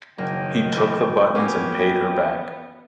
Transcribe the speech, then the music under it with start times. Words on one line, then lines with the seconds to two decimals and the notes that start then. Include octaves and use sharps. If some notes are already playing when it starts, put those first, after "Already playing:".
He took the buttons and paid her back.
0.18 F#1 D#3 F#3 A#3 G5
0.76 A#2 E3 A3 A#3 G4
1.35 A#3 B3 C#4 F#4 A#4 B4 G#5